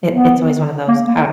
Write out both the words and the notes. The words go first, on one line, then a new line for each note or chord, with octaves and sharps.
it it's always one of those har m m
B3
A#3
A#3